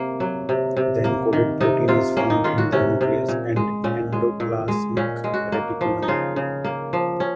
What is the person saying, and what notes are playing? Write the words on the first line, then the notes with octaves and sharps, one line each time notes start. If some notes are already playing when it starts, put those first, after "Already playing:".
The encoded protein is found in the nucleus and endoplasmic reticulum.
Already playing: C3 A#3
F#3
C3
C3
A#3
D#3
C3 D#4
C3 F4
A#3 C#4
D#4
D#3 F4
F#4
C3 C#4
C3
A#2
G#3
A#2 C#4
G#3
A#2
G#3
A#2 C#4
G#3
F#4
A#3
F3
D#4
C#3 F4
C#3
A#3
F3
C#4